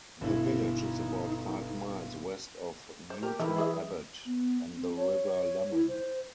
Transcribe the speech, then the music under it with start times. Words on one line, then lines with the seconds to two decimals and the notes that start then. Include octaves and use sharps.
The village is about five miles west of Newton Abbot, on the River Lemon.
0.21 G1 B2 E4
0.77 D#4
3.10 C5
3.23 G4 A#4
3.40 E3 E4 A#4 E5
3.58 G#4 D#5 E5
4.25 B3
4.76 C4
4.97 C#5
5.71 E4
5.88 C5